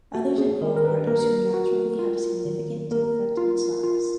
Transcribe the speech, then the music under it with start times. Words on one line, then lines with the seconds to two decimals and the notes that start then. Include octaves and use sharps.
Others involve partners who naturally have a significant difference in size.
0.15 A#3 F#4
0.38 G#4
0.61 D#3 A#4
0.76 A#4
0.85 B4
1.07 A#3 A#4
1.54 F#4
1.99 F4
2.45 D#3
2.91 A#3 A#4
3.37 F4
3.83 F4